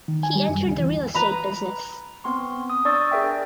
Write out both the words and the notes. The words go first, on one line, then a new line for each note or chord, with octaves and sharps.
He entered the real estate business.
D#3
G#5
G3
F#2
C#2
E3
B4 A#5 B5
B3 C4 C6 C#6
D#6
D4 D5 C#6 E6 A6
G#4 A#4 E5 G5